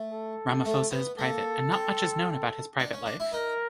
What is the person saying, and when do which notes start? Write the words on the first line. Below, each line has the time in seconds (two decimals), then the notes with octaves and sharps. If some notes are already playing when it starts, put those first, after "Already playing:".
Ramaphosa is private and not much is known about his private life.
Already playing: A3
0.11 A4
0.65 A3
0.91 B3
1.19 A#3 A4
1.72 C4
2.80 D4
2.93 C#4
3.06 D4
3.20 E4
3.33 D#4 A#4